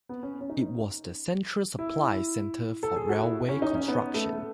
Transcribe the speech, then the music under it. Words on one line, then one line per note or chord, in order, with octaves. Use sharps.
It was the central supply centre for railway construction.
B3
C#4
C#4
D#4
E4
A4
G#4
F#4
E4
C#4
D#4
C#4
B3
A3